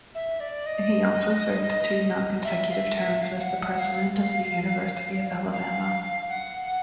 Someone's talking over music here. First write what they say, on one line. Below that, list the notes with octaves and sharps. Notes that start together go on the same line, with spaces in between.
He also served two nonconsecutive terms as the president of the University of Alabama.
E5
D5
D#5
E5
F5
E5
E5
F5
F#5
F#5
F5
F5
F#5